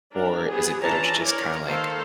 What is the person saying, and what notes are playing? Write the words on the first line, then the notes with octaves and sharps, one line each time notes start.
or is it better to just kinda, like,
D4 A#4
B3 G4 G#4
E3 C#4 D4 F4 A5 A#5
A#4 C#5 D5
D#3 A#3 A4 C5 F5